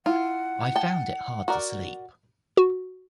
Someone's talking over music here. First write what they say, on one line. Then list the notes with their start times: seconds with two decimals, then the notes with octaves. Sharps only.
I found it hard to sleep.
0.06 E4 F4 F#5
0.76 G5 A5
1.48 F#4 A#4 D5
2.57 F#4